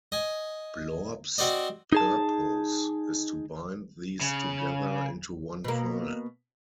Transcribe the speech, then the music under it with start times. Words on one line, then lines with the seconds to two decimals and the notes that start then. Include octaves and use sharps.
Blorb's purpose is to bind these together into one file.
0.12 D#5 G#5
1.38 C4 F#4 C5 D5 D#5
1.93 D#4 G#4 A5
4.21 C#3
5.64 B2 A#3